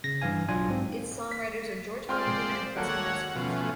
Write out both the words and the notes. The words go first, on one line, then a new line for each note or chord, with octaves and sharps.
Its songwriters are George Clinton and Fuzzy Haskins.
C#3 A#6
G2 E3 F5 G#5
B1 F#3 D4 F4 G#5
G#2 C4
B6
G#3 C4 F4 C5 D5 G5 C6 F6
D#2 A#3 F#4 A4 C#5 F#5
B2 F3 A3 C#4